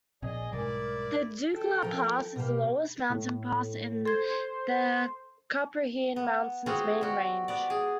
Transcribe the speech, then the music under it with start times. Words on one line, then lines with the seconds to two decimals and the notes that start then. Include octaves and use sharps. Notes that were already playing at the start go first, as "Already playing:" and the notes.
The Dukla Pass is the lowest mountain pass in the Carpathian Mountains main range.
0.22 A#1 C4 G#4 D5 D#5 G#5
0.52 B1 G#2 G3 E4 A#4 D5
1.50 A4 G5
1.83 F3 A#4 A#5
2.36 B2 A#3 G4
3.10 A2
4.05 A4 C5 G#6
6.16 B3
6.66 B3 C4 F4 F#4 G#4
7.01 G3 F#4
7.48 B3 D5
7.70 G#4